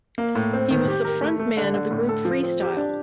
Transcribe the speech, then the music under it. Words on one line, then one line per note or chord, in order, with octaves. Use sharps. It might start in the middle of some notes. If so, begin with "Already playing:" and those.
He was the frontman of the group Freestyle.
A#3
A2
C4
D#3
G4
A#4
A3
A3
D3
D3
A2
A4
F3
C4
G4
D4